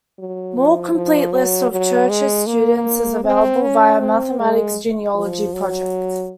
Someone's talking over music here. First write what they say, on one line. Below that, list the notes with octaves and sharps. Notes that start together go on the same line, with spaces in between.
A more complete list of Church's students is available via Mathematics Genealogy Project.
F#3
F3
F3
F#3
F#3
G#3
A#3
C4
C#4
C4
G#3
F3
F#3